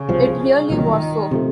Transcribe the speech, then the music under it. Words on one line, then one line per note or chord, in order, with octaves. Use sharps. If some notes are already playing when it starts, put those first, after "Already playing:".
It really was so.
Already playing: C#3
C2 C3 F3
C2 A#2 D#3 F#3
C3 F3 A3